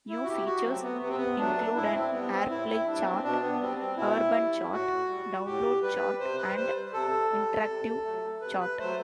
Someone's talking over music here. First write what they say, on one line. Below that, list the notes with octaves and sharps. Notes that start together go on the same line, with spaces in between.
New features include an Airplay Chart, Urban Chart, Download Chart and Interactive Chart.
E4
F#4
C3 G4
F#4
F#3 A3 C4
B3
C3 B3
C4
B3
F#3 A3 D4
A2 E4
C4
G3 B3
C4
A2 E4
E4
G3 D4
B3
C4
B2 D4
B3
G3 C4
C4
B2 E4
G3
A2 F#4
G3
A2 G4
G3 B4
C3 C5
B4
G3 C5
C3 A4
G3
C3
F#3 A3
C3 B4
B4
F#3 A3 C5